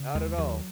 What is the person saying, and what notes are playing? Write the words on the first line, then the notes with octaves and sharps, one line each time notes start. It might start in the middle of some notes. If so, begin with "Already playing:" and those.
Not at all.
Already playing: C#3
D#2 G#3
D#2 F#3